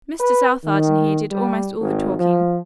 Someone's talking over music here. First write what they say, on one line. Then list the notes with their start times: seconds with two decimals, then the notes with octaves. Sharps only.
Mr. Southard and he did almost all the talking.
0.20 B4
0.65 D#3
1.31 G3
1.81 G#1
2.18 F3